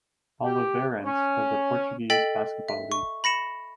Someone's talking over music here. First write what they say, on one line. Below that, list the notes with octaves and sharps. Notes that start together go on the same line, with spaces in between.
Oliveirense of the Portuguese Basketball League.
G4
C#4
A4 D#5 G5 A6 B6 F#7
E5
C#6
B5 A#6 C#7 E7